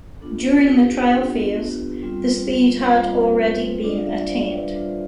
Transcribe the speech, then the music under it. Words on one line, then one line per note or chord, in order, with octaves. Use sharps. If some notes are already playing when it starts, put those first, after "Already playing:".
During the trial phase, the speed had already been attained.
B3 D4 F4 A4
B4
G4
G4
A4
B3 D4 F4
G3 C4 F4
G3 C4 F4 C5
B4
A4
B4
G3 D4 F4 D5
F5
E5
D5
C5
A4
B4
G3 D4 F4 C5